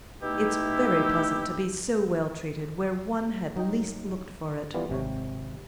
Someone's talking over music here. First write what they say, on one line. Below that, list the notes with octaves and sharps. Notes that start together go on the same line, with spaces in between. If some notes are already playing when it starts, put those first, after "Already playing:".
It's very pleasant to be so well treated where one had least looked for it.
B2 A3 D#4 E4 G4
F#3 D#4 D#5 G5
E3 G3 B3 F4 D5
G#1 C3 C#5